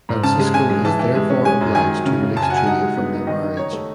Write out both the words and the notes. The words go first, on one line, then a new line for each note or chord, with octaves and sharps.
Francisco is therefore obliged to release Julia from their marriage.
G#2
C#3 A5
G#3
C#3 G#5
G#3
E3 A5
E3
G#3
C#4
G#3 G#5
F#2
D#3 G#5
F#2
C#3
C#3
F#2 A5
G#5
F#3 F#5
G#5
D#4 F#5
G#3
B3
D#4
D#3 D#5
D#4
D#4 C#5
A3